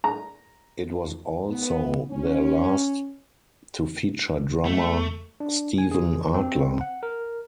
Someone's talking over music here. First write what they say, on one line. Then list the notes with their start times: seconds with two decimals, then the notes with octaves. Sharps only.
It was also their last to feature drummer Steven Adler.
0.04 A#5
1.50 B3
2.11 C#4
4.65 A3
5.40 D4
5.78 G#5
5.91 G#4
6.34 C4
6.81 F#5
7.03 A#4